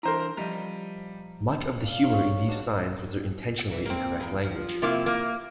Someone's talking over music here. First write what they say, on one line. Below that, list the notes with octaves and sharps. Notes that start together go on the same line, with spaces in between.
Much of the humor in these signs was their intentionally incorrect language.
E3 D4 E4 A#4 C5 A#5
F3 G3 D#5 A#5
D5 F5
D#4 F4 C#5
G#2 B2 D4 F#4
E3
A#3 C4
E2 A#3
F3
C3 A#3 E4
A#3